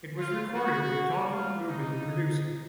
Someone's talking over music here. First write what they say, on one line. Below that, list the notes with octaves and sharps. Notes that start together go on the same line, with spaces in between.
It was recorded with Tom Lubin producing.
F4
F#4
F4
D#4